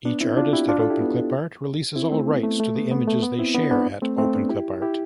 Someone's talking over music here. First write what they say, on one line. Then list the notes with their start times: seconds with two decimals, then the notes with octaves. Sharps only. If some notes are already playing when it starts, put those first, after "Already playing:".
Each artist at Openclipart releases all rights to the images they share at Openclipart.
0.05 B3 D4
0.21 C4 E4
0.37 D4 F4
0.53 E4 G4
0.69 D4 F4
0.80 F4 A4
0.90 E4 G4
1.01 B3
1.96 C4 E4
2.12 A3 C4
2.28 B3
2.43 A3
2.60 A3
2.75 B3
2.91 B3
3.07 A3
3.22 B3
3.39 C4 E4
3.55 B3 D4
3.71 B3 D4
4.02 A3 C4
4.18 A3 C4
4.34 B3 D4
4.50 E4 G4
4.82 E4 G4